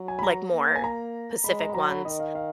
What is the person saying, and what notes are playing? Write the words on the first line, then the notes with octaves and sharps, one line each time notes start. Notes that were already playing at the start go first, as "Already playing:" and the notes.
like, more Pacific ones,
Already playing: F#3
G#5
B5
A#5
A#3
G#5
A#5
G#3 B5
A#5
B5
F#3 A#5
B5
D#3 D#5
F5
F5